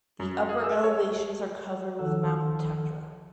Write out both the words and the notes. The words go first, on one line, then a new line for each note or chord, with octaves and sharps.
The upper elevations are covered with mountain tundra.
F#2
G#4
E6
C#5
C#2 D#3 F3 A4 F#5 E6